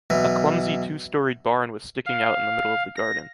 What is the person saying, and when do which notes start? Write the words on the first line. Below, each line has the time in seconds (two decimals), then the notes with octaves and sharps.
A clumsy two-storied barn was sticking out in the middle of the garden.
0.10 B1 E3
2.06 F5
2.97 A#6